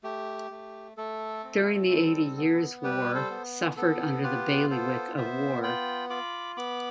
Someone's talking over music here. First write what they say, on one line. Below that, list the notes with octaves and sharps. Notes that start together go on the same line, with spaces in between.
During the Eighty Years' War suffered under the bailiwick of war.
A3 G4
A3
A3 A4
C4
G3
B3
G3 G4 B4
A4 C5
B3
B3 A4
F4 G4 B4
B3 A4 C5
B3 C5 E5
F4 G5 B5
F4 B5 D6
B3 B5 D6